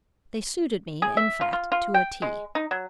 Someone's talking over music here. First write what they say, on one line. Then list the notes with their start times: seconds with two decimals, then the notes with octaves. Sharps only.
They suited me, in fact, to a T.
1.02 G#4
1.17 E5
1.41 F4
1.53 F4
1.72 F4
1.94 G5
2.22 G#3
2.55 D#4
2.71 F#3